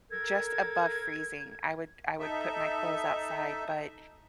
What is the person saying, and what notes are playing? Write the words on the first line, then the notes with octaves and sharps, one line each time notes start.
just above freezing, I would I would put my clothes outside, but
A4 A#4 G#6
D#4 A4 E5